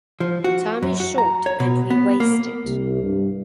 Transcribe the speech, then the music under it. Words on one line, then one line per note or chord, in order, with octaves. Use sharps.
Time is short and we waste it.
F3
F#4
F#2
F#4
A#5
C#5
B2
B3
A#3
C2
G2